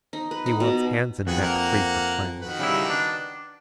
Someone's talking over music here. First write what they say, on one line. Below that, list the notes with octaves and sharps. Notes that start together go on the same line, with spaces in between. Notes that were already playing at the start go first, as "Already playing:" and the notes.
He wants hands and neck free for climbing.
D#4
B4
D#4
B2
F2 F#4 G#4 B4
A#3 A#4 F#5
D#3 F#4 B4
C#3 G3 E4
D4